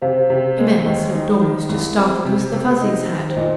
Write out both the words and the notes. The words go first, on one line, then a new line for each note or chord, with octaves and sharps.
Jimenez looked almost as startled as the Fuzzies had.
C3 C5 F5
C3
G#3
D#2 D#5
D#4
D#3
C2
C4
C3
C3
D#4
D#3
C5
A#2 D#5